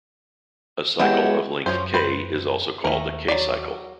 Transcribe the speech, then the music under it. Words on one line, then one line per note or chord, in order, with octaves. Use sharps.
A cycle of length "k" is also called a "k"-cycle.
G#3 B3 E4 G4 C#5 F#5
F#2 F3 C#4 C5
B4 C5
D#2 A3 A#4
F#3 D5